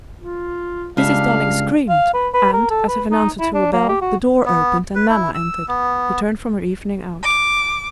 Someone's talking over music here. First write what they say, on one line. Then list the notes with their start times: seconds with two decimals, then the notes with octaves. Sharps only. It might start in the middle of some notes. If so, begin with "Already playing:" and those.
Mrs. Darling screamed, and, as if in answer to a bell, the door opened, and Nana entered, returned from her evening out.
0.20 F4
0.97 C#2 G3 D4 E5 F5
1.89 F5
2.14 B4
2.34 B4
2.53 A#4
2.70 A4
2.88 B4
3.11 D#4
3.40 E4
3.54 D4
3.73 A#3
3.89 G4
4.02 F#4
4.45 B3
4.95 B4
5.10 E4
5.35 E6
5.68 B3
7.24 D6